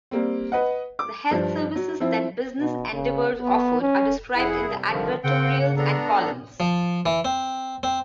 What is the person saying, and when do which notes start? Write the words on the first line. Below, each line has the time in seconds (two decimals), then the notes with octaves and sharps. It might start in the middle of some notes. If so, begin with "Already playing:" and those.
The health services that business endeavors offered are described in the advertorials and columns.
0.11 G3 A#3 C4
0.52 B4 D#5 F#5
0.99 D6
1.31 G2 F3 G3
1.76 F#3
2.00 F3 C4 E4
2.60 B2
2.91 C#3
3.39 B3
3.81 C#4
4.36 F2 E4 G#4 F#5
4.67 C3 G3
4.89 D3 D#3 F3
5.24 C#3 A#3 C4 F#5 G5
5.77 B3 D4 A4 A#5
6.60 F3
7.06 E3
7.25 C4
7.83 C4